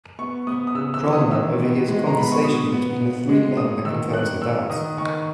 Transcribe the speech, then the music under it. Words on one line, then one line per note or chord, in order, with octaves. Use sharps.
Drolma overhears a conversation between the three men that confirms her doubts.
B3 C#6
B3 D#6
D#6
C#3 E6
E6
E3
D#6
D#3 E6
B3
G#3
A#5
B3 B5
C#6
B2 D#6
B3
B2
G#3
A#3 D#6
D#3 E6
A#3 F#6
A#3 E6
D#3 D#6
D#3 C#6